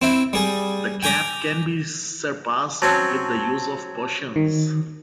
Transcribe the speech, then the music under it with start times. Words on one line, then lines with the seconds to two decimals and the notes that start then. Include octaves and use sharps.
The cap can be surpassed with the use of potions.
0.02 C4 E4
0.33 G3 G#4
1.03 G5 G#5 A#5 D6
2.82 F#3 C4 C#4 A5
4.36 D#3